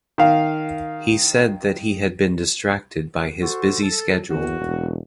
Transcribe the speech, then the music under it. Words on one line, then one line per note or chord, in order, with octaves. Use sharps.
He said that he had been distracted by his busy schedule.
D#3 F5
F#4 A4 C5
A4
E2 A#3 F#4
E1